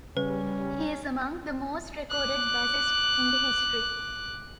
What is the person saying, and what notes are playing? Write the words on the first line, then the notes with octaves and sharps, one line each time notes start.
He is among the most recorded bassists in history.
C#3 G3 C#4 B4
D6 F#6